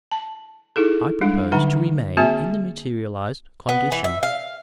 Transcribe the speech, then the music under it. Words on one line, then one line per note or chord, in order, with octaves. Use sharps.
'I propose to remain in the materialized condition.'
A5
D#4 E4 G#4 A4
G3 G#3 D4
D3 F#3 D#4 F#5 A#5
A#3 C4 F#4 G#4 E5 G#5
B3
E3
E5
F5